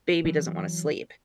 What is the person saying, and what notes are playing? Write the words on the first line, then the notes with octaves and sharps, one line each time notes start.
baby doesn't wanna sleep,
E3 F#3